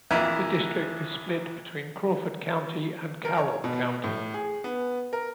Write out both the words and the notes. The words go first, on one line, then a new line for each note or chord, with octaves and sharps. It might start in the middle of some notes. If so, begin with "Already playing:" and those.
The district is split between Crawford County and Carroll County.
A#1 F2 E3 A#3 E4 E5
A#4
C#5
B2
A2
G#4
B3
A#4